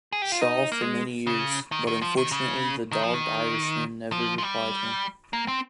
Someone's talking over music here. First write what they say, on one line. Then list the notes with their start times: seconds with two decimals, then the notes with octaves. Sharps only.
Shaw for many years, but unfortunately the dogged Irishman never replied him.
0.13 G#4
0.22 G4
0.32 F4
0.41 D#4
0.72 A#3
0.82 G#3
1.27 C#3
1.72 D#3
1.87 D#3
2.02 F3
2.17 D#3
2.32 C#3
2.92 D#3
3.04 F3
3.14 D#3
4.12 F3
4.38 F3
4.42 G3
5.33 A#3
5.48 C4